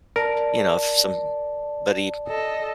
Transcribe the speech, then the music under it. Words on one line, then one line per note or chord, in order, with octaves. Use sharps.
you know, if somebody
A#4 D5 A5
A4 D#5